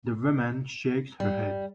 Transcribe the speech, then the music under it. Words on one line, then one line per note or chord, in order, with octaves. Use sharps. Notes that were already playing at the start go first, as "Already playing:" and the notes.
The woman shakes her head.
G3